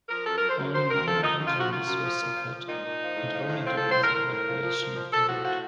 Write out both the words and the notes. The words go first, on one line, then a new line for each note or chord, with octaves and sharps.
Only minor injuries were suffered and only during the evacuation of the boat.
F3 A#4
F#2 A4
F#2 A#4
C5
F#2
F#2 C5
F#2 A#4
F3 A4
F3 D#4
F#2
F4
F3 F#4
F#2 F4
F#2
F3
A#2
F3
F3
A#2 D#4
A#2
F3
A2
F3
A2
F3 C4
A2 A4
C5
A2 A#4
A2 A#4
A2
F3
F3
F3
F3
F3 A4
A2 F#4
F3 F#4